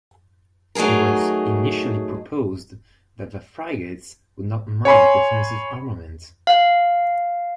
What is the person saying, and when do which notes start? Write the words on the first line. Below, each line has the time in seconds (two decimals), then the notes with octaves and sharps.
It was initially proposed that the frigates would not mount defensive armament.
0.75 F#3 A3 D#4 G#4 A#4
4.85 C#5 G#5 B5 C6
6.47 F5